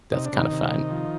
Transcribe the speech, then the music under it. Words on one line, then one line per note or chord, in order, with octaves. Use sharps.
that's kind of fun
C3 D#4
D4
C3
D#3 D#4
C3
C3
F3